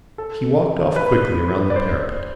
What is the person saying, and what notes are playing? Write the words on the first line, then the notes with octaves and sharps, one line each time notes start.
He walked off quickly round the parapet.
A4
B4
D5
C5